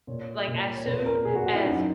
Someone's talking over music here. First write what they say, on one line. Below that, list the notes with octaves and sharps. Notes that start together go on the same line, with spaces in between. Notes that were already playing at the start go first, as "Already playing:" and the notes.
like, as soon as
A#2 C#5
A#2
C#5
A#2 B4
A#4
A#2 G#4
F#4
F#4
E4
F#2 D#4